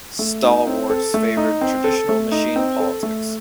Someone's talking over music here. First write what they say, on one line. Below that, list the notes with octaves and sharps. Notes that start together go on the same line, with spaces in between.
Stalwarts favored traditional machine politics.
A3
D#4
C4
A4
A3
D#4
C4
A4
A3
D#4
C4
A4
A3